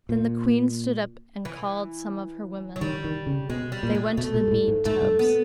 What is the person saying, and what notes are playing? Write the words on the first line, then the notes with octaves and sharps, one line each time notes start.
Then the queen stood up and called some of her women. They went to the mead tubs.
A#2
E3
F#3
D#3 G3
D#3
C#3
B2 G#3
G3
A#2
G#3
B2 A3
A#2
A#2
A2
G#2
G#2 A3
G2
B3